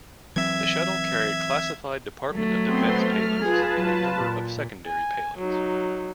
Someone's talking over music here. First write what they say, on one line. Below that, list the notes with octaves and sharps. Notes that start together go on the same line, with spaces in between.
The shuttle carried classified Department of Defense payloads and a number of secondary payloads.
E3 F#3 C4 E5 G#6
F#3 A3
B3 C4 C6
F6
F4 G#4 B4 A5
F#3
A#2
G#5
F#3 D#4